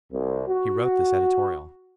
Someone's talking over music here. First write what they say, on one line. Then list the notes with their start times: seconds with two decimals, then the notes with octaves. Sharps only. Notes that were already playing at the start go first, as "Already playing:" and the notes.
"He wrote this editorial."
0.12 C2
0.48 F#4